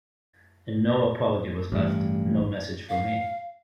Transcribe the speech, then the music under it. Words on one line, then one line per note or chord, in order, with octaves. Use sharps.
And no apology was left, no message for me.
A1 G2
F5